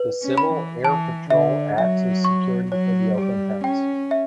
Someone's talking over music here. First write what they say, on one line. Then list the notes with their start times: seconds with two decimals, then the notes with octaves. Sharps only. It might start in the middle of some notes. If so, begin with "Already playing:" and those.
The Civil Air Patrol acts as security for the open house.
Already playing: B4
0.23 C#4
0.38 B5
0.53 E3
0.84 E3 A5
1.30 D3 E5
1.78 F#3 E5
2.25 C#6
2.72 F#3 C#5
3.18 G3 G4
3.64 C#4 G5
4.11 E5